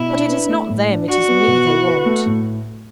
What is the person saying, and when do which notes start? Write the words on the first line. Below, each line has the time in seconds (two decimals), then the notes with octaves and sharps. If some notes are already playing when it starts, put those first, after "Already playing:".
But it is not them--it is me they want.'
Already playing: B2 E4
0.09 D4
0.29 B4
0.49 A3
0.69 A2
0.89 D4
1.07 F#4 D5
1.28 B3
1.47 B2
1.67 E4
1.87 B4
2.06 A3
2.26 A2